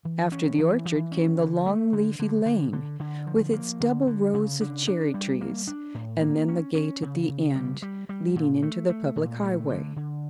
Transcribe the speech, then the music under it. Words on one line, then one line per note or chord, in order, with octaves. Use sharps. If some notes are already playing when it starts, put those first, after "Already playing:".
After the orchard came the long leafy lane, with its double rows of cherry-trees, and then the gate at the end, leading into the public highway.
E3
C#4
E3
E3
C#4
D3
A3
D3
D3
D3
D3
D3
F3
A#3
D3
D3
C#3
D4
D4
G3
A#3
D4
A2
A#3
C#4
C#4
C#3
C#3
G3
G3
G3
A#2
A3
A3
A#2
A3
D3
D3